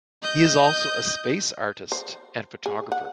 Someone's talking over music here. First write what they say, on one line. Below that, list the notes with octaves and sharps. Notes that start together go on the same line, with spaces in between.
He is also a space artist and photographer.
D#5 G6
C5
G#4
F#5